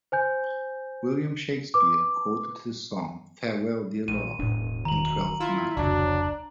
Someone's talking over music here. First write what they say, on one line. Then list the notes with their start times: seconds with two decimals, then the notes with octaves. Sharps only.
William Shakespeare quoted his song, 'Farewell, dear love', in Twelfth Night.
0.12 C5 G#5 G6
1.74 B4 D6
4.08 A#1 D#7
4.39 E1 A2 D4
4.85 D#3 A#5 F#7
5.40 E4 F4
5.77 F1 C#2 F#3 D4